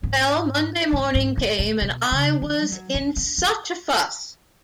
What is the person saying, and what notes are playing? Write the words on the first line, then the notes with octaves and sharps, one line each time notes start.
Well, Monday morning came, and I was in such a fuss!
G#2
G#2
G#2
A2
A2
B2
C#3
D3
G#3
F#3
C#4
D4
E4